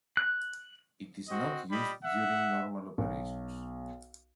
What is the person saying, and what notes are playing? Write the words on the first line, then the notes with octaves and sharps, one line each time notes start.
It is not used during normal operations.
F#6
C4 F#4 D#5
G3 D#5 B5
E5 F#5
B1